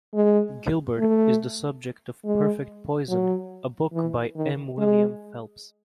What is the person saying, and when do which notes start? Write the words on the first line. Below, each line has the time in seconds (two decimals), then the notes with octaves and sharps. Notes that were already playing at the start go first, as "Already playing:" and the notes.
Gilbert is the subject of "Perfect Poison", a book by M. William Phelps.
0.14 G#3
0.98 A3
2.25 G#3
3.09 F#3
3.93 E3
4.36 D#3
4.78 G#3